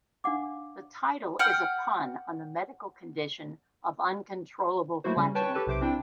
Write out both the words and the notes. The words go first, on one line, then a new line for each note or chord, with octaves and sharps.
The title is a pun on the medical condition of uncontrollable flatulence.
D4 F5 F#5 D6
F#5 G5 F6 G6
F#3 A3 A#3 E4 F#4 C5
C#3 G3 C#4
B4 C#5 G5 A5 C#6
G4 A4 B4 A5
B1 C3 C5 D6 D7
C4 D4 E4 G5